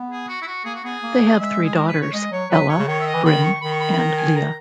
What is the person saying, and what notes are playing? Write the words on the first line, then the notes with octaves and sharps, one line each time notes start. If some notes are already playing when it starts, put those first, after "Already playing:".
They have three daughters: Ella, Brynn and Leah.
Already playing: B3
G#4
F#4
E4
F#4
A#3 G#4
F#4
B3 G#4
A#3
A#3
G#3 E5
G#4
A#4
B4
C#5
G#3 D#5
F#3 C#5
F#3 B4
C#5
C#3
D#3 C#5
E5
D#5
E3
D#3 B5
C#6
D#3 B5
C#6
B5
B5
A#5
G#5
A#5